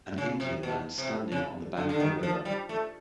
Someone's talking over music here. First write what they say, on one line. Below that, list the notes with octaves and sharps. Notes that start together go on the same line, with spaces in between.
An Indian man standing on the bank of a river.
C#3
C3
B2
C3
C#3
D3
D3
D#3
F3
G3
A3